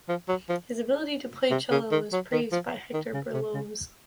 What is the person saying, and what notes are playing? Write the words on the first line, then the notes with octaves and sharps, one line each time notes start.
His ability to play cello was praised by Hector Berlioz.
F3
F#3
F3
C3
C#3
D#3
F#3
D#3
F3
D#3
C#3
C3
C#3